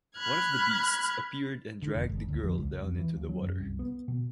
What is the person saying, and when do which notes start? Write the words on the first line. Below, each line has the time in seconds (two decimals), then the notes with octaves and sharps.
One of the beasts appeared and dragged the girl down into the water.
0.15 B5 F6 F#6 G#6
1.82 D3
1.95 F1
2.09 G1
2.28 D2
2.43 F2
2.58 C#2
2.83 F2
2.99 E3
3.17 D#2
3.29 F#3
3.42 F#2
3.60 C2
3.79 B3
4.08 B2